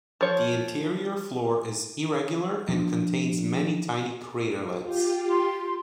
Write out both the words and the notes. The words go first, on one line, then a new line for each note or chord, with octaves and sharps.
The interior floor is irregular and contains many tiny craterlets.
F3 C#5
F3 D4
F4 G4
C6